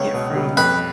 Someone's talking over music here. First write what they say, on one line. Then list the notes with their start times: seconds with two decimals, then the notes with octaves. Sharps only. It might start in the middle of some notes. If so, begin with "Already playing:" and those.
get from
Already playing: C#2 B3 C#5
0.14 B2
0.36 G3
0.57 F2 B4